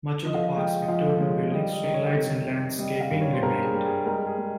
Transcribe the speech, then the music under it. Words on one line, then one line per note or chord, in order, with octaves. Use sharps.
Much of the park's Victorian buildings, street lights and landscaping remained.
F3 D#5
F5
D#5
G#3 G5
D#5
F3 F5
G#3 C#5
G3 D#5
D#5
D#3
C#5
C3
C3
G3 D#5
F5
G2
C#5
C5
G2 A#4
G#4
G3
G#4
G#3 A#4
G#4
G#3